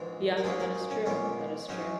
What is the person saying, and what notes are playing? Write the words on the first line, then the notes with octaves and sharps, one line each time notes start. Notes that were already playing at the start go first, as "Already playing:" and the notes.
Yeah, that is true, that is true,
Already playing: A#1 G#2 E3
A#4
G#2 F#3 A#3 C#4 G#4
A#4
D#4
C#4
A#1 A#2 G#3 B3 C#4
G#2 F#3 C#4 D#4